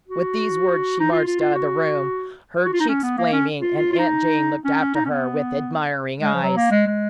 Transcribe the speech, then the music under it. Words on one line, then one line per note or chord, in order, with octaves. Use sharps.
With these words she marched out of the room, her cheeks flaming, and Aunt Jane looked after her with admiring eyes.
F#4
D#4
F4
F4
F4
F#4
F#4
F4
D#4
C#4
B3
A#3
C#4
F4
F4
F4
D#4
C#4
C#4
D#4
C#4
B3
G#3
F3
F#3
A#3
G#3
G#3